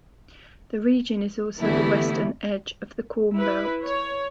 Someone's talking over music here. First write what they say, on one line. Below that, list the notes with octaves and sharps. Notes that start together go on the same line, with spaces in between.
The region is also the western edge of the Corn Belt.
D3 E3 G3 A3 B3 E4
E4 B4
C#5